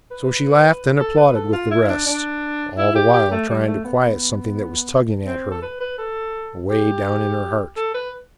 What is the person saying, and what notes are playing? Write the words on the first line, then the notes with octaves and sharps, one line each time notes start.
So she laughed and applauded with the rest, all the while trying to quiet something that was tugging at her away down in her heart.
B4
A4
B4
A4
F4
E4
D4
D4
E4
G4
G4
A3
G3
A3
B3
C4
A4
B4
B4
A4
G4
A4
B4